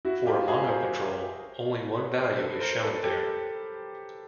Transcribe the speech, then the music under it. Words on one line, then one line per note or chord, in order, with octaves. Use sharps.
For a mono control, only one value is shown there.
E4 F#4
F4 G4
F#4 G#4
A#4 C5
B4 C#5
A#4 C5
A4 B4
A#4 C5
A4 B4
G4 A4